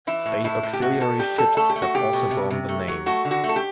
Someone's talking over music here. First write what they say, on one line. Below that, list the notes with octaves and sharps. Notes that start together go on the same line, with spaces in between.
A auxiliary ships have also borne the name.
E3 E4
A2
A2 E4
A2
G4
B2 F#4
B2 A4
G3 G4
G3 A4
A3 A4
G4
A3
F#4
B2 G4
B2
C3
C3
A3
F#3
A3 F#4
D3
F#4
A3
A4
G4